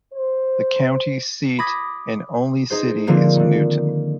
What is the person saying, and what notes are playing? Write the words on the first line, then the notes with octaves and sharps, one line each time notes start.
The county seat and only city is Newton.
C5
B5 D6 D#6 G#6 A#6
D#4 G#4 C5
D3 F3 A#3 C4
D3 D#3